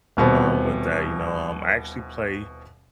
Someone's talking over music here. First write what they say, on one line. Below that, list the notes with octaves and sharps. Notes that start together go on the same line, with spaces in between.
um, with that, you know, um, I actually play,
D#1 B2 B3 C4